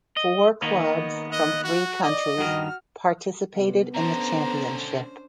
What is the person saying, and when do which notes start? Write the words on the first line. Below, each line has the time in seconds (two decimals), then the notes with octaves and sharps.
Four clubs from three countries participated in the championship.
0.17 D#5
0.62 D#3 A#3 B3 A#4 D#5
1.32 D#5 F#6
1.64 F#4
2.04 D5 D#5
2.38 G2 D#3 F#4 F6
3.54 C3 B3
3.94 B2 D3 C#4 D4 C5 A#5